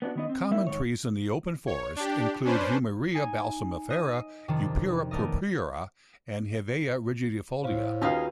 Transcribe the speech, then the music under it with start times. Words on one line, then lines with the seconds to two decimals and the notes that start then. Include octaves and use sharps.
Common trees in the open forest include "Humiria balsamifera", "Eperua purpurea" and "Hevea rigidifolia".
0.02 B3 D4 D#4 F#4
0.15 D#3 B3 D#5
0.29 C4
0.51 G3 A#3 D#4 E4 E5
0.67 G#2 D#3 C#5
1.67 C#5
1.96 D4 G4
2.44 C#4 D4 B4 C5
3.14 D#4 G#5
3.90 D#5
4.48 F2 C3 D#3 D4
5.11 A3 B3 A#4 D5 D#5
7.64 A2 C5 C#5 F5
8.02 D#2 C#4 D#4 F4 F#4 G#4 B4 F5